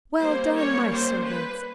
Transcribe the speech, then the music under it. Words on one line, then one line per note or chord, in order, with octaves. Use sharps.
'Well done, my servants!
G3 A#3 C#4 C5
C#5
C5
B4